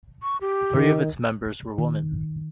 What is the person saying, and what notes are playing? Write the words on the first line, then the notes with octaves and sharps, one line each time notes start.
Three of its members were women.
C#6
G4
D#3
D#3